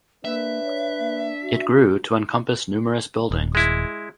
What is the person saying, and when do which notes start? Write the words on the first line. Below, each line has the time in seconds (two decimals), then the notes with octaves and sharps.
It grew to encompass numerous buildings.
0.25 A#3 D4 B4 E5
0.64 C#5
0.99 A#3
1.43 F#4
3.31 D#1
3.55 G#3 E4